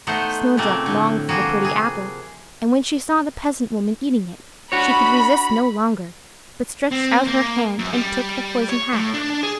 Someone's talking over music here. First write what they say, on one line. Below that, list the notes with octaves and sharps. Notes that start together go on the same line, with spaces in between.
Snowdrop longed for the pretty apple; and when she saw the peasant-woman eating it, she could resist no longer, but stretched out her hand and took the poisoned half.
A3 B3 D#4 C5 F#5
A#2 C#3 A3 A#3 C4
A2 D3
F3 G3 A#3 F#4 G#4
C3 G#4
D4 F#4 C#5 B5
C4
A#3
F#2
G3
C#5
A2
D4
D4
G#4